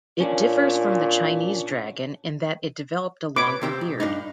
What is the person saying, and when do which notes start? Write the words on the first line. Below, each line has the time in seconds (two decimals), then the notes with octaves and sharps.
It differs from the Chinese dragon in that it developed a longer beard.
0.20 A#2 C#4 D4
3.36 B4 C#5 D6
3.61 C3 C4 G4
3.81 B1
4.00 G2 D4 D#4